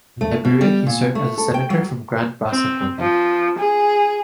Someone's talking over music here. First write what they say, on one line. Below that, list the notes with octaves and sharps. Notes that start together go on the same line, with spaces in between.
In Liberia, he served as a senator from Grand Bassa County.
A3
B2
G3
A#2
A3
A4
G5
F#3
C4
F3
G#4